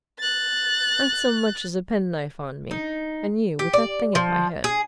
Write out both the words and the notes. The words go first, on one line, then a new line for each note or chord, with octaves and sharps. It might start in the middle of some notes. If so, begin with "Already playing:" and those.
"Not so much as a penknife on me, and you with that thing at my head."
F#6 A6
D#4
G4
D5
F3
G#4